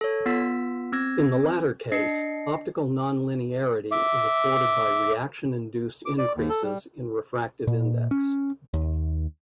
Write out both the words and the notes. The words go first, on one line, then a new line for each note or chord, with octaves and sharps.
In the latter case, optical nonlinearity is afforded by reaction-induced increases in refractive index.
A4 C#5
B3 F4 E6 B6
C4 E6 G#6 A#6
D4 D#5 C7 C#7
E5 D6
D6
D5
D#2
A4
G3
A#2
C#4
D#2